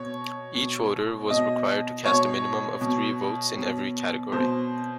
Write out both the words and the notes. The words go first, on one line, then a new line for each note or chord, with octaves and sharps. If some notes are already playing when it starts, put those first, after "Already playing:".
Each voter was required to cast a minimum of three votes in every category.
Already playing: B2 C#5
B2
B2 D#5
B2 C#5
B2
B2
B2 C5